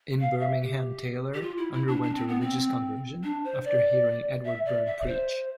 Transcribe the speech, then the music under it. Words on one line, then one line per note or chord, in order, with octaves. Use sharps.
In Birmingham Taylor underwent a religious conversion, after hearing Edward Burn preach.
F5
E5
G4
G4
F4
E4
E4
D4
D4
C4
B3
C4
D4
C5
D5
E5
D5
E5
D5
C5